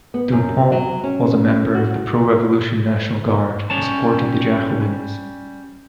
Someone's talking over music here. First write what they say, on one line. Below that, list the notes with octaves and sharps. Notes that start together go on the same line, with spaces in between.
Du Pont was a member of the pro-Revolution national guard and supported the Jacobins.
B3
F#2
F#3
C#4
F#4
G3 C#4 C#5 A5